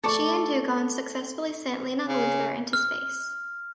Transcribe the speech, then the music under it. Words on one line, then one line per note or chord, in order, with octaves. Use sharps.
She and Dugan successfully sent Lena Luthor into space.
A3 A4 D5 C#6
C#3
F6